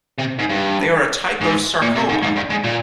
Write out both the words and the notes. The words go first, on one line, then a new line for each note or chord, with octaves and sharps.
They are a type of sarcoma.
C3
G#2
G2
G#2
A#2
C3
G#2
G#2
G2
G#2
A#2